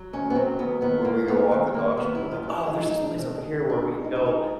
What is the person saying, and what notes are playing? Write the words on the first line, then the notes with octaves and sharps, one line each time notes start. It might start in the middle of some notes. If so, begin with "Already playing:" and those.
a i when we go walk the dog, she'll be like, "Oh, there's this place over here where we can go."
Already playing: F#3
D#2 C#4
B3
F#3 C4
D#2 B3
D#2 B3
D#2 A#3
F#3 B3
D#2 C4
D#2 A#3
D#2 B3
E4
D#2
F4
F#3
E4
G#3 D#4
D#4
G#3
D4
B2 C4
G#3 D4
B2
D4
G#3
B2 D#4
E4
G#3 D#4